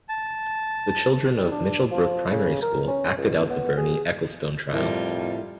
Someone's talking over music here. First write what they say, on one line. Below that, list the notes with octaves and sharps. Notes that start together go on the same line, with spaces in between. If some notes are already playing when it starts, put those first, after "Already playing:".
The children of Mitchell Brook Primary School acted out the Bernie Ecclestone trial.
A5
G3
D4
F3
C#3
A#4
C#4
C#2
B3
G#4
F2 A2 G3 E4 F4 A#4